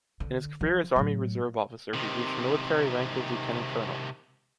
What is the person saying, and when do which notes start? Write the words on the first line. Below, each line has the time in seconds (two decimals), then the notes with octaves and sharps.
In his career as army reserve officer he reached military rank of lieutenant colonel.
0.20 D3
0.61 F3
0.96 A2 F#3
1.94 C3 D#3